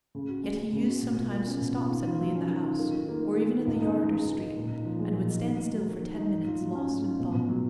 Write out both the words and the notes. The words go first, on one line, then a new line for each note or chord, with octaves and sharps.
Yet he used sometimes to stop suddenly in the house, or even in the yard or street, and would stand still for ten minutes, lost in thought.
C#3
F#4
G#3
C#4
C#3
F#4
B2
F4
A#3
C#4
B2
F4
D#3
F4
F#3
C#4
D#3
F4
D#3
D#3
A#3
D#4
D#3
D#3
C#2
D#4
C#3
G#3
C#2
D#4
A#2
D#4
F3
G#3
A#2
D#4
D#3
D#4
F#3
A#3
D#3
D#4
G#2
F4
F#3
C#4
G#2
F4
B2
B2
F#3